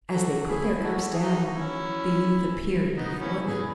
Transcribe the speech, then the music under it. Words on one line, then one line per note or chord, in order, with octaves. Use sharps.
As they put their cups down, the youth appeared before them.
F#4 A4
E4 G#4
F#4 A4
G#4
D#4 F#4
C#4 E4
B3 D#4
C#4 E4
G#4 B4